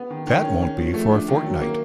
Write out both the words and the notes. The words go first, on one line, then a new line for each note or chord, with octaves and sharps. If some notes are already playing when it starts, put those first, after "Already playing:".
That won’t be for a fortnight.
Already playing: B3
D#3
D#3
C#4
C#4
F3
A3
D4
D#3
F#3
A#3